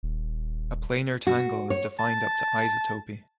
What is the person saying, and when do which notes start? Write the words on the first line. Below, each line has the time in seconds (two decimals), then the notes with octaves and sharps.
A planar tangle is defined up to isotopy.
0.03 D#1
1.27 F#4
1.70 C#5
1.99 A5